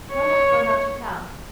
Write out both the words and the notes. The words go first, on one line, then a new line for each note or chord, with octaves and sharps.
Why not run up to town?
C#5